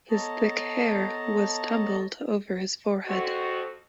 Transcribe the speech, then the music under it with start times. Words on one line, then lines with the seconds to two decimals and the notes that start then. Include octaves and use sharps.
His thick hair was tumbled over his forehead.
0.10 B3 A4 C#5 D#5 A5 A#5
3.06 F2 F#4